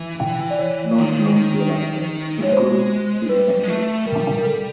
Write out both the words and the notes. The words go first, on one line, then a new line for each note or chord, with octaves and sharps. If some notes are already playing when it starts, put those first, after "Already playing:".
Not long thereafter, the group disbanded.
Already playing: E3
G5
D5
C#5
D#3
D#3
A3 C#5
G#3 C5
G3 B4
G#3
A3
G3 A#4
A#4
A4